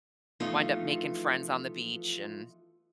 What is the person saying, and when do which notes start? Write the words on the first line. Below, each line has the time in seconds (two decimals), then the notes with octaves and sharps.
wind up making friends on the beach, and
0.40 E3 F3 A3 B3 D#4 F4